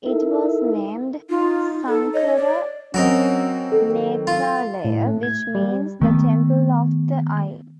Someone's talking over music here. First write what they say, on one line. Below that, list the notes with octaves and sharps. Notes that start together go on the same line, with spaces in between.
It was named Sankara Nethralaya, which means "The Temple of the Eye".
D#4 E4 A4 A#4 E5
D#4 F4
A4
C#5 D#5
D5
F#3 C4 C#4 F#4 A#4 D#5
D#3 A4
F4
A2
A3
G#6
G3
D#3 A3 B3